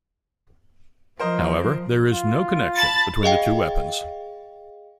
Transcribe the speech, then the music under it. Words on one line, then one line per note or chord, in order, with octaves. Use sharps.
However, there is no connection between the two weapons.
F3 A#4 C5 D#5
F4
A5 B5 A6
G#4 D#5 F5 G5